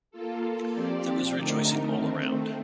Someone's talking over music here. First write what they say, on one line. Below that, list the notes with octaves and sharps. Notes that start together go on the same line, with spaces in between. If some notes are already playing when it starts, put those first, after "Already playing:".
There was rejoicing all around.
A#3 F4 A4
F3 C4 G4 D5
D3 A3 D#4 A#4
D#3 A3 C4